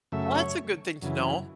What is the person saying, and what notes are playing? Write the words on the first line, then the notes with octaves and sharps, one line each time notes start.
Well, that's a good thing to know.
F#2 C#3 A3 E5
C#5
F#2 C#3 E3